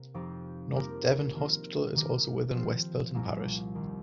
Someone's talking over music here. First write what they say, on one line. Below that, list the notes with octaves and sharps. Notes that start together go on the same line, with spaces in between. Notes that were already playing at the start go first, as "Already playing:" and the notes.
North Devon Hospital is also within West Pilton parish.
Already playing: C3 A#3
F2 F3 C4 D#4 G4
F3 A#3 G4 A#4
D#3 A#3 F4 A#4
D#3 A#3 G4 A#4
F3 C4 F4 C5
C2 A#2 A#3
D#2 D#3 C4